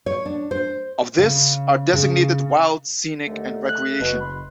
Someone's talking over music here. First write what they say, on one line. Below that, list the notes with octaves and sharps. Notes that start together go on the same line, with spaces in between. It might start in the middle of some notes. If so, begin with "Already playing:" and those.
Of this, are designated "wild", "scenic", and "recreational".
C#5
D4
C5
C#3
C#3
D#2 D3 A3
F#6
F#1 B2
B5 C6